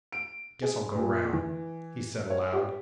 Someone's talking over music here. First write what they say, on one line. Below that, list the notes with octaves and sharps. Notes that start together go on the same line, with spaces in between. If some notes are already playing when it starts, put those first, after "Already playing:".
Guess I'll go round,' he said aloud.
D7
G#4
A#2
E3
C#5
G4